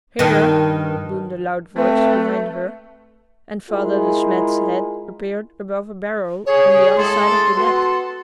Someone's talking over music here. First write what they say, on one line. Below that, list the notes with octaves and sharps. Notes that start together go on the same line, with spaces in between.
"Here!" boomed a loud voice behind her, and Father De Smet's head appeared above a barrel on the other side of the deck.
G2 D#3
A3 C4 B4
G#3 E4 F4 G#4 A#4
G#4 C#5
A2 G#3 A4 C6
B3 F#4 A4